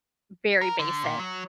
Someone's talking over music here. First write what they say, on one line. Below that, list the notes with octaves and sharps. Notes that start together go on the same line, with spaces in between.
very basic.
A#4
D3
A#2
F#3